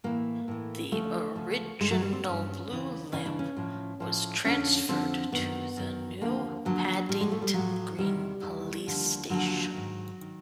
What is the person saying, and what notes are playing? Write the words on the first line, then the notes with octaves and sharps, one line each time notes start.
The original blue lamp was transferred to the new Paddington Green Police Station.
A2 E3 A#3
A2 E3
D2 C#3 F3 A3
D2 C#3 F3
G2 D#3 G#3
F#3
G3
C4
G2 D#3 C#4
E2 C#3 E3
E2 C#3 E3 C#4
D4
C#4
A2 F3
A2 F3
F2 D3 F3 C#4
F2 D3 F3 C4
F#2 D#3 B3
F#2 D#3
D#2 D3 F3 A#3
D#2 D3 F3 F#3
A2 F3 G3
G#3
A3
G3
A2 F3 F#3
E2 C3 D#3 G3
E2 C3 D#3
D#2 D3 F3
D#2 D3 F3 F#3
G#2 D#3
D#3